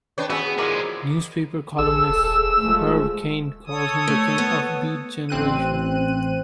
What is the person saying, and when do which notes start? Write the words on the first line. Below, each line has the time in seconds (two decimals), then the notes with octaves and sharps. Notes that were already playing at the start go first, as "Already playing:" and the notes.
Newspaper columnist Herb Caen called him the king of the Beat Generation.
0.18 D4 B4 C#5 G5
0.30 B3 F#4 G#4 E5
0.58 F3 G#3 E4 A#4 D5
1.79 A1 G#4 A4 E6
2.09 D#1
2.60 D1 F3 G#3 A3
3.67 A4 C#5 D#6
4.08 A3
4.38 B3
5.29 A1 C4 F#6 D#7